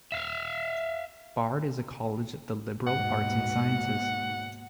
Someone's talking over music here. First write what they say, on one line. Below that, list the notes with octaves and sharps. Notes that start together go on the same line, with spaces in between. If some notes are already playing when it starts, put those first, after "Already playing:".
Bard is a college of the liberal arts and sciences.
E5 F5
D#2 G#2 B2 F#5